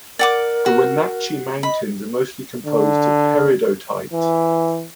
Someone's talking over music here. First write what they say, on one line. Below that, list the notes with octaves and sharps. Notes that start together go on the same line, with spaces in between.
The Wenatchee Mountains are mostly composed of peridotite.
A#4 D5 F#5 D6
F#4
D#5 B5
D3
E3